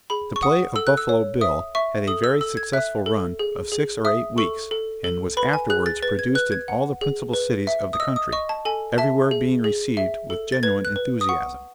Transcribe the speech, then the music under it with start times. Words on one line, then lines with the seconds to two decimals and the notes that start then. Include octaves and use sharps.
The play of "Buffalo Bill" had a very successful run of six or eight weeks, and was afterwards produced in all the principal cities of the country, everywhere being received with genuine enthusiasm.
0.10 G#4 B5
0.36 C#6
0.43 F#5 D#6
0.76 A4 E6
0.87 F#6
0.97 E6
1.09 C#5
1.41 E5 D#6
1.75 E5 C#6
2.08 A4 D#6
2.24 E6
2.41 A4 E6
2.57 G#6
2.73 E5 F#6
3.06 A4
3.39 G#4
3.72 G#4
4.05 E5 D#6
4.38 A4 C#6
4.71 A4
5.04 A4
5.37 B4 B5
5.53 G#5
5.70 G#4 F#6
5.86 A6
6.02 B4 A6
6.19 G#6
6.35 B4 F#6
6.52 G#6
6.68 F#5
7.01 G#4
7.34 B4
7.67 E5
7.93 D#6
8.00 D#5 E6
8.16 D#6
8.33 D#5 C#6
8.49 A5
8.65 A4 G#5
8.98 E5 A5
9.31 G#4
9.64 G#4
9.97 E5
10.30 A4
10.52 A6
10.63 B4 G#6
10.85 F#6
10.96 B4
11.21 D#6
11.29 F#5 C#6